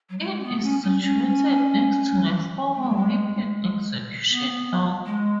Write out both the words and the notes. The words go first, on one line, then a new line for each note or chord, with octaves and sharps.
It is situated next to the former Wapping Execution Dock.
F#3
G#3
C#4
B3
C#4
C#4
C#4
A3
G#3
F#3
G#3
B3
G#3